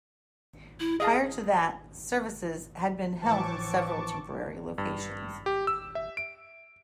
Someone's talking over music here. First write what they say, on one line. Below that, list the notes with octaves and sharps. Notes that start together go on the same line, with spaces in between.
Prior to that, services had been held in several temporary locations.
E4
G#4 D#5 F5 A5
A2 E3 F3 A5 C#6 D6
G2
G4
E6
E5
D7